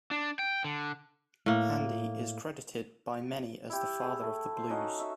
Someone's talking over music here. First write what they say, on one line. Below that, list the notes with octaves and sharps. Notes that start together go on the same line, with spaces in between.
Handy is credited by many as the father of the Blues.
D4
G5
D3
A2 A#3
E4 G4
G#4
A3
C5
C#4 D#4 F#4 F5
E5